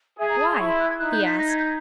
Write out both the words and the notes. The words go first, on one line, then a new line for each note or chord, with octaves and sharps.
"Why?" he asked.
G#4 E5
A#5
A5
C6
E4 C#6
C6
F#6
G#6
D#4 F#6
G6
B6
A#6
G#6
G6